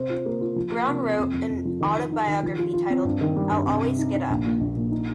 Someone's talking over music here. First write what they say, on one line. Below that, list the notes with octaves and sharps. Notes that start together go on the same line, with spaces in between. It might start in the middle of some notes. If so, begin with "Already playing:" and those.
Brown wrote an autobiography entitled "I'll Always Get Up".
Already playing: C3 C5
F4
A#3
F4
F3
A#3
C3
C3
F2
F2
F2
F3
D#3
D#3
D#4
D#3
F3
F4
F4
C4
G2
D#3
G3
G2
C3
C3
D#4
D#4
A#1
A#2
A#1
A#2
D#4